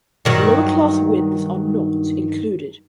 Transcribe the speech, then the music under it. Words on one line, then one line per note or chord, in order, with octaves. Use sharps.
Lower class wins are not included.
G2 D#3 F#3